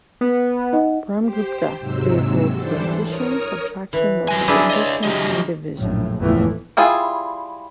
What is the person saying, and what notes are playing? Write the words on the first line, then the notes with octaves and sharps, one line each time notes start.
Brahmagupta gave rules for addition, subtraction, multiplication and division.
B3
D#4 D#5 F#5
G4 C5
D#2 G#2 C3 F#3 E6
E3 G3 D4 A4 C5
A#4 C#5 D#6 F6
E3
F#3 G3 G#5
D4 E4 G#4
C#5 D#5
F#3 G4 D#5
A#1 F#2 A2
F#1 E2 A2 E3 F3 A3
G3 E4 F4 G#4